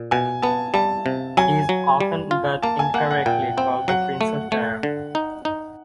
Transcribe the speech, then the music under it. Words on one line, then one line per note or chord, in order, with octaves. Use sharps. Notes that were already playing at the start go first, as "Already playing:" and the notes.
He is often but incorrectly called the Prince of Tyre.
Already playing: A#2
B2 G#5
B3 A5
G3 A5
C3
F#3 G#5
F#3
G3
F4
A#3 A5
G#5
A#3 F#5
F#5
A#2 G5
C4 G5
F#3 F#5
A3
A3
D3
D#4
D#4